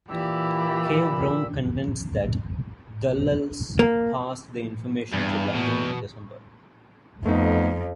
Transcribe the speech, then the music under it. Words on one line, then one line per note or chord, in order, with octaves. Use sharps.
Cave Brown contends that Dulles passed the information to London in December.
A#2 E3 G4 B5 E6
A#3
E2 G2
B2
F2 A3 B3 D#4